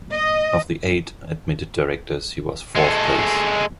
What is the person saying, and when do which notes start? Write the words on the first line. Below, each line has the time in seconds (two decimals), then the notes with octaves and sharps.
Of the eight admitted directors he was fourth place.
0.12 D#5
2.76 G#3 A4